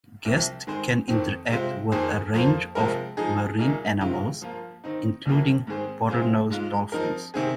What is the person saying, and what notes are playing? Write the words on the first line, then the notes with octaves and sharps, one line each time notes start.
Guests can interact with a range of marine animals including bottlenose dolphins.
C2 C3 F3
D#3 G#3 C4 G#4 C5
F2 D#3 C4
C3 G#3 F4 C5
F2 D#3 A#3 G#4 C5
F2 F3 A#3 F4 C5
C3 F3 G#3 F4 A#4
F3 G#3 D#4 G#4
C2 A#2 A#3 D#4 G#4
C3 D#3 G#3 F4
F3 A#3 F4
D#3 C4 D#4
C2 C3 F3 A#3
G#2 D#3 C4 G#4 C5
C3 G#3 F4 G#4 C5
G#2 G#3 F4
F3 C4 D#4 A#4
C3 D#3 C4 G#4